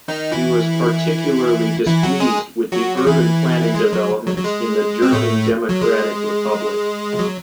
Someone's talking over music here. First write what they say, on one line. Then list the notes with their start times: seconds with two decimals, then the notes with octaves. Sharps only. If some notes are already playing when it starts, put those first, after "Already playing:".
He was particularly displeased with the urban planning developments in the German Democratic Republic.
0.08 D#3 D#4
0.31 E3 E4
1.86 E3 E4
2.03 F#3 F#4
2.20 G#3 G#4
2.72 F#3 F#4
2.97 F#4
3.07 E3 E4
3.75 G#3
3.92 F#3
4.27 F#3
4.37 F#3
4.44 G#3
5.02 C4
5.12 A2 A3
5.69 F#3
5.81 G#3
7.19 F#3